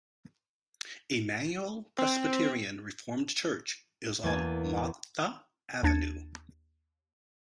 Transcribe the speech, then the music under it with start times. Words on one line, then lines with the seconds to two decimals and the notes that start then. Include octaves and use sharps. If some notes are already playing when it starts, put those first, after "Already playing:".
Emmanuel Presbyterian Reformed Church is on Martha Avenue.
1.98 C4
4.23 E2 A#3 G#5 A5
5.83 D#2 D4 G#6 A6 C#7